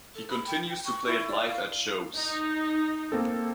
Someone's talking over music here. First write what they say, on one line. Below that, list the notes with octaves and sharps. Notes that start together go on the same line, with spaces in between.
He continues to play it live at shows.
A4
B5
G5
G5
C#6
E4
D5
F5
D#4
A#3 C4 A4